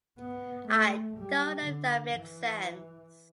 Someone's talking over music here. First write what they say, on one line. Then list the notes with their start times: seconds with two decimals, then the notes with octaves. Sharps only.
I don't know if that makes sense.
0.19 B3
0.68 A3
1.17 G3
1.65 D3
2.14 E3